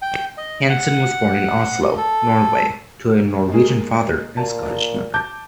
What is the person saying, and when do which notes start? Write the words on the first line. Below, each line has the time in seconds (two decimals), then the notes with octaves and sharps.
Hansen was born in Oslo, Norway to a Norwegian father and Scottish mother.
0.02 G5
0.38 D#5
0.69 F#5
1.98 A4
3.50 G#3 A#3 G#4
4.37 A#2 A5
5.14 A5 D6 G6